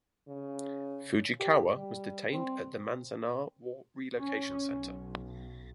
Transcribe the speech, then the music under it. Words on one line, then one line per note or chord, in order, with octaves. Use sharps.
Fujikawa was detained at Manzanar War Relocation Center.
C#3
G4
G3
C4
C#4
B1